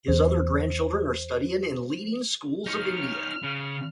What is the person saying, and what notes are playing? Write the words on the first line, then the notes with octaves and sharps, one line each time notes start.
His other grandchildren are studying in leading schools of India.
E2 C5
D#4 C#5 F6
C#3